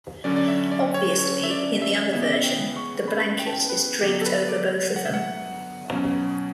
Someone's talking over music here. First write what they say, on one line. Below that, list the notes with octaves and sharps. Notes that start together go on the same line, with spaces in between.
Obviously, in the other version, the blanket is draped over both of them.
D3 F#3 C#4 D5
D5
E5
D5
C#5
C#5
E5
D5
E5
C#3 E3 B3 E5
D5
E5
G5
C#6
B5
G5
A5
G5
B4
D3 F#3 B3 G4
A4
B4
D5
F#5
E5
F#5
B2 F#3 C#4